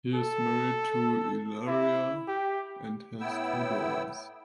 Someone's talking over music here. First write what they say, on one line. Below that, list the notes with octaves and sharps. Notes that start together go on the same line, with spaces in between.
He is married to Ilaria and has two daughters.
A4
E4
G4
A2 B3 E4 G5 E6